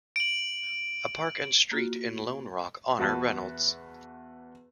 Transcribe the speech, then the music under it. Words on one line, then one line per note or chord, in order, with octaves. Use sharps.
A park and street in Lone Rock honor Reynolds.
D7 F#7
A#3 F4 F#4
E2 F#4 B4 A5